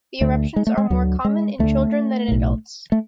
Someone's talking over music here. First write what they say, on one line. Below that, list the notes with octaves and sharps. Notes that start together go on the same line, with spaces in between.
The eruptions are more common in children than in adults.
D2 D3 A3
G#3
A3
G#3
D2 D3 F#3
G#3
D2 D3 A3
B1 A2
A3